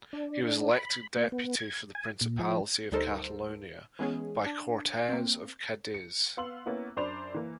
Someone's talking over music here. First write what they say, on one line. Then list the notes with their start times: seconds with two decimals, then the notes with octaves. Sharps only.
He was elected deputy for the Principality of Catalonia by the Cortes of Cadiz.
0.13 D4
0.42 D4
0.72 B5
1.16 A#3
1.32 B3
1.60 G#6
1.95 G#5
2.21 A#2
2.39 F3
2.92 D2 G3 D#4 A4 A#4 C5
3.99 E3 G#3 B3 C#4 G#4
4.46 D4
5.09 A#3 C4
5.94 C#7
6.37 B3 F5 C6 E6 F#7
6.66 A#3 B3 C#4 E4
6.96 F#2 D4 C5 D5 B5 F7
7.34 E3 A#3